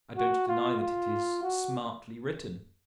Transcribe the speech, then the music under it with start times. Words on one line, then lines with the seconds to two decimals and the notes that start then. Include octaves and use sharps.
I don't deny that it is smartly written.
0.17 F#4
0.49 F4
0.80 F4
1.43 F#4